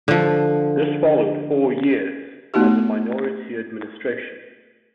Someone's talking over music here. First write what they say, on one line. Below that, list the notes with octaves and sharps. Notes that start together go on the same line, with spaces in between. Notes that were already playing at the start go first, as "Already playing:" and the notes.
This followed four years as a minority administration.
D3 F3
A3 B3 D#4 F#4 G4